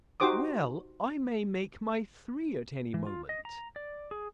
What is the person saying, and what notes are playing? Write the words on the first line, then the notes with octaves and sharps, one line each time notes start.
"Well, I may make my three at any moment."
D#4 F#4 G4 C5 D6 D#6
E3
F4
D#5
A#5
D5
G#4